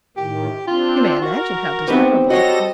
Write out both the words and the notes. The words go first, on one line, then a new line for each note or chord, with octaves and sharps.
You may imagine how desirable!
A2 D#3 G4
C4 D4 F4
F#4 A#4
B3 C4 D#4 G4 B4
G3 F#4 A4 C5 C#5 D#5 A#6